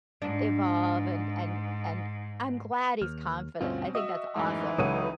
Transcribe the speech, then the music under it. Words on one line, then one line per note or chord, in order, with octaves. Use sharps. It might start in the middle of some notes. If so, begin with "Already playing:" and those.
evolve, and and and I'm glad he's confident, I think that's awesome,
G#2 D4
D#2 F6
D2 G2 B2 C4 C#4 F4
F#4 D#5 E5 E6
F#2 A2 E3 G#3 D#4
C#2 F#3 A4 C#5 F#5 D#6 D#7